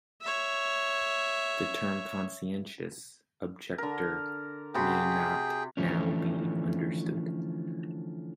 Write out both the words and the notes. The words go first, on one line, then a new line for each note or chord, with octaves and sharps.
The term conscientious objector may not now be understood.
C#5 E5
D3 A#4
C3 F#4 G#4 G5 B5
D3 E3 F3 A3 C#4